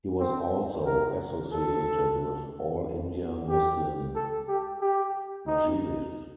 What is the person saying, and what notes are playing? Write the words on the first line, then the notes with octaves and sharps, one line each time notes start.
He was also associated with All India Muslim Majlis.
C4
A#4
A4
G4
A4
G4
G4
D#4